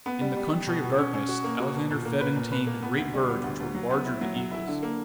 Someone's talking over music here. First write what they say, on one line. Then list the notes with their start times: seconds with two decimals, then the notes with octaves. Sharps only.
"In the Country of Darkness" Alexander fed and tamed great birds which were larger than eagles.
0.06 B3
0.21 G3
0.37 G3
0.51 G3
0.67 B2
0.83 B2
0.98 C#4
1.13 C#4
1.29 F#4
1.44 A#3
1.60 F#4
1.74 B2
1.91 A#2
2.05 A#3
2.21 B4
2.36 A#2
2.52 B4
2.67 A#3
2.83 B3
2.98 D2
3.13 G3
3.29 B3
3.44 D2
3.60 D2
3.75 F#3
3.90 B3
4.05 E4
4.21 F#3
4.36 F#3
4.51 E4
4.67 D3
4.82 A#3